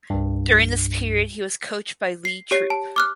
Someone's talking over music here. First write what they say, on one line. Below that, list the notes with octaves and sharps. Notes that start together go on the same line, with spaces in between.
During this period he was coached by Lee Troop.
C2 G2
C7
G4 C#5 C7
A5
D6 F6 F#6